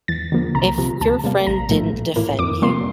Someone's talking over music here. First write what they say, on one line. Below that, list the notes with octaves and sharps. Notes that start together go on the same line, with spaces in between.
If your friend didn't defend you
E2 A6
D3 F3 A#3
C2 A#5
C3 F3
D2 A5
C3 G3 A#3
A1 A#5
A2 F3 A3
A#1
A2 E3 A#3
F2 D6
C3 G3 A#3 C6